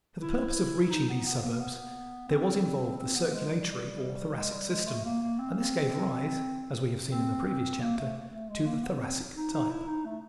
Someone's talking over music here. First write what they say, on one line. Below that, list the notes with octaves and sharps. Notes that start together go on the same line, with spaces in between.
For the purpose of reaching these suburbs there was involved the circulatory or Thoracic system, and this gave rise, as we have seen in the previous chapter, to the Thoracic type.
E4
D#4
B3
B3
A#3
B3
C4
C4
B3
G#3
G3
G#3
G3
G#3
A3
A#3
A#3
C4
C#4
C4
C4
C4
A#3
A3
A3
G#3
A#3
B3
C4
D#4
D#4
E4
D#4
A3